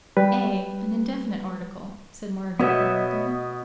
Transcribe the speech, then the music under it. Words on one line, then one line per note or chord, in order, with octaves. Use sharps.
'A, an indefinite article,' said Margaret, mildly.
G3 B4
B2 B3 C#5 D#5 E5